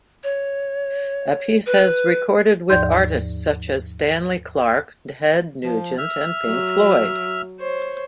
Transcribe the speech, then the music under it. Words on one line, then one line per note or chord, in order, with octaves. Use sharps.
Appice has recorded with artists such as Stanley Clarke, Ted Nugent, and Pink Floyd.
C#5
B4
D#2 G#2 F3 D5 C6 G6
F3
E5 F6
F#3
C5 C#5